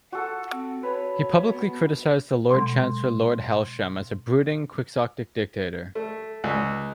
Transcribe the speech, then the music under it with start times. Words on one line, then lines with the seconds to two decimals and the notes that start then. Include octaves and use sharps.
He publicly criticised the Lord Chancellor Lord Hailsham as "a brooding quixotic dictator".
0.13 F#4 A4 F#5
0.51 C4
0.83 B4 C#5
1.52 B3
2.51 B2 F#3 G#3 C6
5.95 A3
6.44 C#2